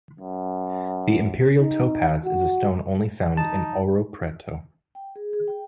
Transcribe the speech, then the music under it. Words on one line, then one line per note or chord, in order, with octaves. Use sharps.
The imperial topaz is a stone only found in Ouro Preto.
F#2
D#4
F#4
D#4 A5
G5
G#4
G#4
G5